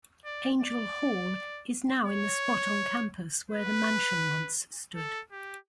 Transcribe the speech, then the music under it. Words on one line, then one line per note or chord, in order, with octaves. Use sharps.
"Angell Hall" is now in the spot on campus where the Mansion once stood.
D5
D5
C#5
B4
A4
G4